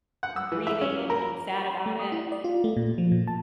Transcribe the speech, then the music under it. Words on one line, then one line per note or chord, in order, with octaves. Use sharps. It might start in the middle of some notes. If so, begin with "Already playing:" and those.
grieving and being sad about it,
F#5
E6
E3
E5
C#4
A#3
A#4
C#6
C6
A3
D#6
E4
D5
F4
A3
A#2
F3
A#2
A5